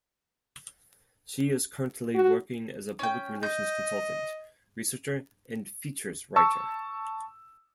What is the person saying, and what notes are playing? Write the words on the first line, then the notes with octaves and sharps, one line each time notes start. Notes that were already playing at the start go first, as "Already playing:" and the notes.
She is currently working as a public relations consultant, researcher and features writer.
F#4
C#4 G5
D#5 G6
A5 C#6 E6